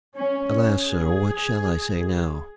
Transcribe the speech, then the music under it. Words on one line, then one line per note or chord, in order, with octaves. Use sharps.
Alas, sir! what shall I say now?
C#4
G#4